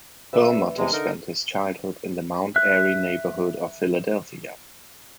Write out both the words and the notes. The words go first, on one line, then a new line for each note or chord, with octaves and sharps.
Perlmutter spent his childhood in the Mount Airy neighborhood of Philadelphia.
B4 D5 E5 E6
E2 C3 G#3
D3 D#4 A#4
E5 F#6